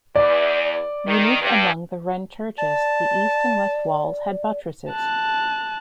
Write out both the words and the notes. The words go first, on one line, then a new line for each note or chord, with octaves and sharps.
Unique among the Wren churches, the east and west walls had buttresses.
E2 D5
D#3
G2
D5 A5
A5 F#6